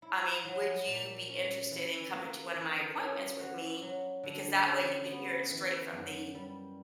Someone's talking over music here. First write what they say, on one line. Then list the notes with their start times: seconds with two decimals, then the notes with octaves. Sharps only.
I mean, would you be interested in coming to one of my appointments with me? Because that way you could hear it straight from the,
0.02 E4
0.45 F#3
0.87 A#2
1.29 C#4
1.71 E3
2.13 A#3
2.55 E3
2.97 C#4
3.39 F#4
3.82 F#3
4.23 D3
4.66 C#4
5.08 B3
5.51 E3
5.93 F#2
6.35 G3